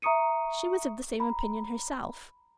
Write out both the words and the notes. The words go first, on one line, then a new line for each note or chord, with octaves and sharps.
She was of the same opinion herself.
E5 A#5 C#6 D#6 C#7 D#7
A#5 B5